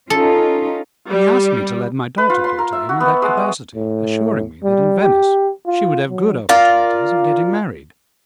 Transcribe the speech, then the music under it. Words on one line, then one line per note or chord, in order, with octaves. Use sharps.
He asked me to let my daughter go to him in that capacity, assuring me that in Venice she would have good opportunities of getting married.
C#4 D#4 F4 A4
G3
B4
F4
C6
A#4
E5
F#4
B3
G#3
D#5
A2
G3
G4
F4
F#3
F4 A#4 D5